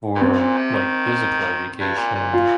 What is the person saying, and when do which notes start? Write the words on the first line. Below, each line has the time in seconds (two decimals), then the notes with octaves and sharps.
for, like, physical education,
0.16 A#2
0.21 G2 C4
0.39 A#2
0.57 C3
0.75 D#3
1.80 G2
1.98 A#2
2.15 A#2
2.34 F4